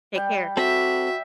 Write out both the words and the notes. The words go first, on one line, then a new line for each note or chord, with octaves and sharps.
Take care.
G3 G5
C4 F#4 A4 E5